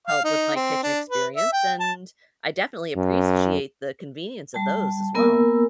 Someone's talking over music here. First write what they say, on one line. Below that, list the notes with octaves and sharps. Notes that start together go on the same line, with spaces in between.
help with my kitchen experience, and I definitely appreciate the convenience of those, as well.
F5
D#4
C4
D4
B4
E5
G5
A5
F#2
G3 A5
A#3 B3 A#4 G#5 E6